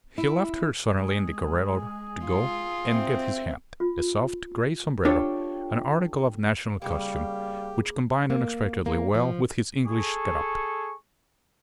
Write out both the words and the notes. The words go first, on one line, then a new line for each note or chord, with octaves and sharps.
He left her suddenly in the corredor to go and get his hat, a soft, grey sombrero, an article of national costume which combined unexpectedly well with his English get-up.
E4
G#3 G#4
F4
C4 E5
F4
D4 F4 G4 A4 C#5
C#3 G3 A#3 G4 F5
A#3
A#3
F3
G#4 A4 C#6